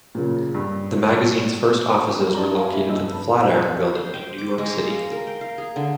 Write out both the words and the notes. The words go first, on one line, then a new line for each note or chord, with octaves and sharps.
The magazine's first offices were located in the Flatiron Building in New York City.
A#2 C#3
G2
D#4 D5 A5 A#5
F5 G#5
G3 A#3 D4 E4
G2 D#5 E6
B4 A5
C5
G5
D6
G#3
A#5
F5
A#4
G5
F5
G#4
D3